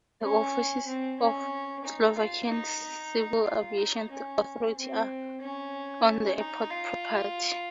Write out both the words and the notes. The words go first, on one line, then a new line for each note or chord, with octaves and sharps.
The offices of the Slovakian Civil Aviation Authority are on the airport property.
C#4
C4
C#4
D#4
F4
D#4
F4
D#4
C#4
C4
C#4
D#4
F4